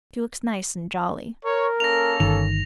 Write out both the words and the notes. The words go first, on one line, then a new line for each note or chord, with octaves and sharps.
"She looks nice and jolly."
A#4 C#5
A#3 C#4 A4 A#6 F7
G1 D#3 F7